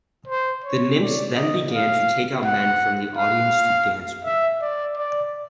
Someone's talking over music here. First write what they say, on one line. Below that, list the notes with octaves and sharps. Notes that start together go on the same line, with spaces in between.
The nymphs then began to take out men from the audience to dance with.
C5
C#5
D5
D#5
F5
F#5
F5
E5
D5
D5